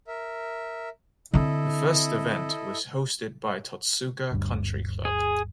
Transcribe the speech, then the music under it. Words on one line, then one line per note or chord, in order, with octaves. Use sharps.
The first event was hosted by Totsuka Country Club.
A#4 E5
D3 C4 E4 A4 D#5
G1 D2 G2
G#4